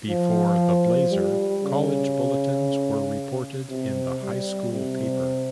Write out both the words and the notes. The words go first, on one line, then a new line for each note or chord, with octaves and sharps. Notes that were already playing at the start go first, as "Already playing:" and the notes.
Before "The Blazer", college bulletins were reported in the high school paper.
F3
G3
C#3
C3
G3
C3